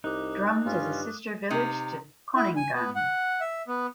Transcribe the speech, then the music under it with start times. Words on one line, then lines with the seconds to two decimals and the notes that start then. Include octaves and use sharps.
Drums is a sister village to Conyngham.
0.04 C2 D#4 D6 D#6 F#6
0.65 G2 C#4 F4
1.50 C3 D#4
2.35 E4
2.56 G#5
2.74 B3
2.96 F#5
3.41 E5
3.68 B3